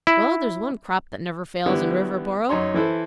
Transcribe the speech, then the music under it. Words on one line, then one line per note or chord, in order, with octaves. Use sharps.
"Well, there's one crop that never fails in Riverboro!"
E4
D3 G3 B3 E4
F#2 D#4 C#5 A#5 C6
E3 E4 A4 C5